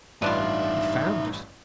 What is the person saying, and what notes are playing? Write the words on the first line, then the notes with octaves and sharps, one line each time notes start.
He found it.
A1 G2 B3 D4 D#4 F4 D5 E5